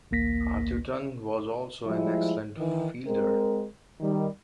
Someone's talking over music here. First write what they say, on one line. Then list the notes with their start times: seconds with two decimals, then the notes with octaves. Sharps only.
Arthurton was also an excellent fielder.
0.11 A1 D2 A#3 A#6 B6
1.86 F3 G3 G#3 E4
2.57 D#3 E3
3.06 G#3 C4 A#4
4.00 D#3 G3